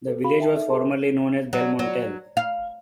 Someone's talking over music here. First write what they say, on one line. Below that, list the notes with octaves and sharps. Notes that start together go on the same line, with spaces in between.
The village was formerly known as "Belmontel".
A4 B4
F#4 G#4 F5 B5
A#4 E5 G5 A5
D#4 A4 E5
G#4 A#4 C5 E5 A5 C6
D#7
F#3
F#3
F5